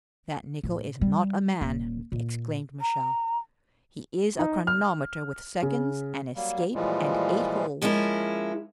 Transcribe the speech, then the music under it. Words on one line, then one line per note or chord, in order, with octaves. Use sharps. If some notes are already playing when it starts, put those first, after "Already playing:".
"That Nicholl is not a man," exclaimed Michel; "he is a chronometer with seconds, an escape, and eight holes."
A2
G3
D#1
A#2
A#5
D#4
F6
C#3
F#3 G3 A#3
A#2 E3 F3 G3 G#3
F3 G#3 A#3 C#4 E4